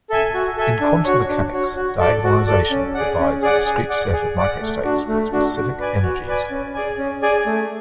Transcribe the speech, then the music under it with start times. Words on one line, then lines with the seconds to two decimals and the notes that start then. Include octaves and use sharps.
In quantum mechanics, diagonalization provides a discrete set of microstates with specific energies.
0.10 A4 E5 G#5
0.34 F#4
0.57 A4 E5 G#5
0.81 D4
1.05 F#4 C#5
1.29 D4
1.53 F#4 C#5
1.76 F#4
1.99 A4 D5
2.24 F#4
2.47 A4 D5
2.71 C#4
2.94 G#4 D5 F#5
3.19 C#4
3.42 G#4 D5 F#5
3.66 G#4
3.89 D5 F#5
4.13 G#4
4.38 D5 F#5
4.60 A3
4.84 D4 F#4
5.08 A3
5.32 D4 F#4
5.56 F#4
5.79 B4 D5 G#5
6.03 F#4
6.27 B4 D5 G#5
6.51 C#4
6.74 G#4 D5 G#5
6.98 C#4
7.22 G#4 D5 G#5
7.46 A3